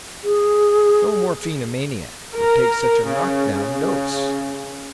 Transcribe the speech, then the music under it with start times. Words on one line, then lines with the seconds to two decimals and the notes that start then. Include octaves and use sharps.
No morphinomaniac would take such a knock-down dose.
0.24 G#4
2.34 A#4
3.06 C#3
3.57 C#3